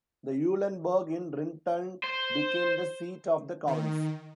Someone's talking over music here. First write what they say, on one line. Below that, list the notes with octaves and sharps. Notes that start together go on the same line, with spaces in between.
The Eulenburg in Rinteln became the seat of the counts.
C5
D#3